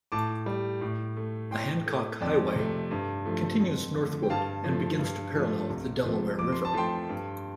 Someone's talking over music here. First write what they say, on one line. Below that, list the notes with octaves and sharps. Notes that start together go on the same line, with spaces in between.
The Hancock Highway continues northward and begins to parallel the Delaware River.
A2 A5 D6
G3
A2
A3
A2 G5 C6
A3
F2 D5 G5
C3 A3
G2
F3 A3
F2
D3 A3
G5
G2 F5 A5
F3 A3
G2
F3 A3
C2
C3 F3 A3
F2 D6
C6
A5
F3 A3 G5 C6
G2